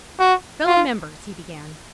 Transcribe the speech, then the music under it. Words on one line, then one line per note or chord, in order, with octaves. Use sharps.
"Fellow members," he began.
F#4
F4